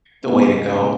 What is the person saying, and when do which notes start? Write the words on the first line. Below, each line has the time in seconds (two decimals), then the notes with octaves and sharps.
the way to go,
0.24 C#3 G#3 B3